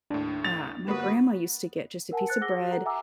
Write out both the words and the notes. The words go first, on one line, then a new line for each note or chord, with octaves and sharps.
Uh, my grandma used to get just a piece of bread
D#2 A2 D4
A6 F7
G1 A#3 F#4 B4 D#6
A#4 F#5 G#5 A5
C5 F#6 A6 C#7
G#4 F#5 D6 E6 A#6 G7
F#4 C#5
A4 F#5 A#5
E5 F#5 G#5 A#5 D6 E6